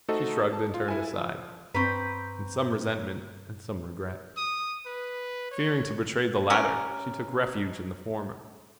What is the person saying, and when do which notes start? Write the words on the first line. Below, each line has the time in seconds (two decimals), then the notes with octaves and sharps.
She shrugged and turned aside, in some resentment and some regret. Fearing to betray the latter, she took refuge in the former.
0.08 A3 D#4 F#4 A4 C5 D#5
0.53 A5
0.74 F4
0.88 E4 A4 G#5
1.18 F3
1.74 G2 C4 B4 A#5 C#6 G6
4.37 D#6
4.86 B4
5.52 C#5
6.50 C#4 G4 A#4